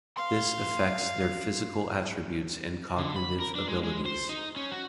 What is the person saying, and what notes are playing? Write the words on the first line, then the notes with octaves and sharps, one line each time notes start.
This affects their physical attributes and cognitive abilities.
F5 C6
D3
B5
A#4
D4
G#3
G#3
C5
D#4
C#4
F#4